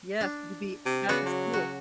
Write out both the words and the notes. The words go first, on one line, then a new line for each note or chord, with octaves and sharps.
Yes, you'd be at the school.
D4
C3
C#3 B3 F#4 D5
F#3
F#4